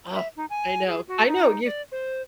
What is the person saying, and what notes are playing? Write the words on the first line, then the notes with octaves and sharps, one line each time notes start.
Oh, I know. I know you
E5
D#4
G#5
G#4
F#4
D#4
D5
C5